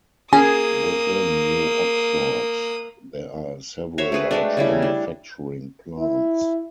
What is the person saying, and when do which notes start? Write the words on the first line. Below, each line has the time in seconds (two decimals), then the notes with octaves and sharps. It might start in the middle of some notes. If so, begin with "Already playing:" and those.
Within New Oxford there are several large manufacturing plants.
0.33 A#3 C#4 G#4 D#6
3.98 F#4 C5 C#5 E5
4.12 A3 C4 G#4 B4
4.31 G#3 A3 D4
4.57 C#3 G3 E4
4.82 D4
6.00 E4